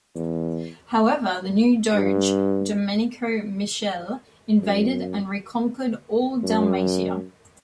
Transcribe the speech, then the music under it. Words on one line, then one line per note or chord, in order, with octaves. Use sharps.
However, the new Doge, Domenico Michele, invaded and reconquered all Dalmatia.
E2
G2
F#2
F#2